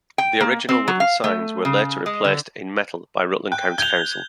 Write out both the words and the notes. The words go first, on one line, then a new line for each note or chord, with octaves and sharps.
The original wooden signs were later replaced in metal by Rutland County Council.
G5
A#3
C4
F#3
F5
A3
C#3
G#3
D3
G5 F#6
G6 G#6 F7 G7